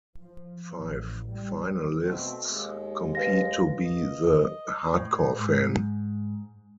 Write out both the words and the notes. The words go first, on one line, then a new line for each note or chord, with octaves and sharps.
Five finalists compete to be the "hard-core fan".
F3
A1
G3
B2 A3 C4
D#2 G#3
B4 F5 A#6
D#5
A2
G#2